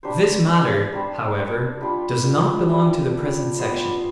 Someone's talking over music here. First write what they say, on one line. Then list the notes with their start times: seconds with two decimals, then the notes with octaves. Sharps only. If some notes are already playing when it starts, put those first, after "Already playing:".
This matter, however, does not belong to the present section.
0.03 G3 D4 G4 C5
0.92 G3 D4 G4 C5
1.81 G3 D4 F4
2.70 G3 D4 F4
3.58 G3 B3 F4 C5